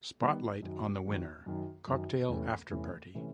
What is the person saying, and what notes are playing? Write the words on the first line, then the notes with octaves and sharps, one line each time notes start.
Spotlight on the Winner: Cocktail after-party.
D#3 G3 B3
F#2 D#3 F#3
F#2 D#3 F#3
F#2 D#3 F#3
F#2 D#3 F#3
E2 C3 E3 A3 C#4
E2 C3 E3 A3 C#4
C3 E3 A3 C#4